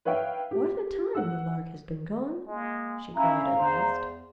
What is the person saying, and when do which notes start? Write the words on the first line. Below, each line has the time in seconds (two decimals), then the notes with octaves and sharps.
"What a time the Lark has been gone!" she cried, at last.
0.05 B4 C#5 E5 F5 G5
0.51 G4
1.15 F#5 E6
2.47 G#3 A#3
3.15 C#4 E4 F5 A#5
3.59 E2 C5